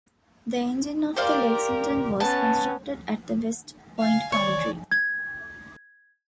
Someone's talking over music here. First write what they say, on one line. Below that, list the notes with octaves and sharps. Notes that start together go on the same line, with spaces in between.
The engine of the "Lexington" was constructed at the West Point Foundry.
G4 A#4 C5 D5 F5
B3 C#4 A5
F5 G#5
C#5 D5
G#6